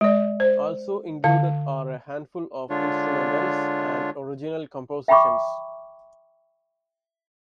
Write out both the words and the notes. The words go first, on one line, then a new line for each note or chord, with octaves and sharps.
Also included are a handful of instrumentals and original compositions.
G#3 D5
C5
D3 F5
D3 G#3 D4 F4 C#5
E5 G5 A#5 B5 C#6 D6